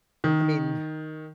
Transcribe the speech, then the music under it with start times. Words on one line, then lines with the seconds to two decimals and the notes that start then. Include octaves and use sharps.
I mean
0.24 D#3